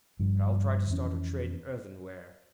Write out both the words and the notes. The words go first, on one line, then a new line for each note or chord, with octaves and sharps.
But I will try to start a trade in earthenware.
G1 G2 D3 F3
F2 E3 A#3 C#4